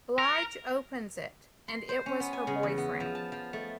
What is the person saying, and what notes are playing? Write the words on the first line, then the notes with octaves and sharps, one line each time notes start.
Blige opens it and it was her boyfriend.
A#4
C6
C5
C#4
B3
G#5
C#3
E2
B3
F3
A5
F3
A3